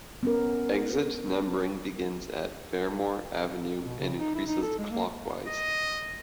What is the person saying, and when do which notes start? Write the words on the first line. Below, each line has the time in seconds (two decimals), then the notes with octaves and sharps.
Exit numbering begins at Fermor Avenue and increases clockwise.
0.23 B3 C#4 A#4
3.85 B2
3.99 C#3
4.18 D#4
4.35 E4
4.47 D#4
4.63 A4
4.78 G#3
4.92 A#3
5.47 D#5